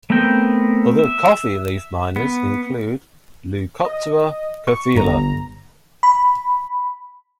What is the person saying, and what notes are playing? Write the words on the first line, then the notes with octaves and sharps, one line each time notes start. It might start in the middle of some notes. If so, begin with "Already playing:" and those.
Other coffee leafminers include "Leucoptera coffeella".
A3 B3 C4 A#4 G5
E5
B3
D#5
C#6
G1 A#5
B5